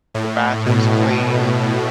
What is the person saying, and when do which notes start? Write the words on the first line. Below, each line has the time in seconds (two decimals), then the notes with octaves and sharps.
the bathroom's clean,
0.14 A2
0.66 B2